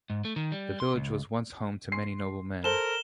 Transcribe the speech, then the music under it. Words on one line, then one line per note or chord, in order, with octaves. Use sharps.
The village was once home to many noble men.
G#2
A3
D#3
G3
C6
C#2
C6 C7
A4 A#4 C5 E7 G7